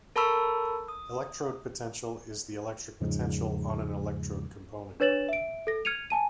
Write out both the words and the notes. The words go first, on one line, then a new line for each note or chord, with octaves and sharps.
Electrode potential is the electric potential on an electrode component.
A4 A#4 A5 B5 C#6 E6
D#6
E2 G#2 C#3 F3 G#3
D4 B4 C#5 A6 E7 F#7
E5 D7
A4 A#6
F6 G#6 C#7 D#7 F7
G#5 A5 D#7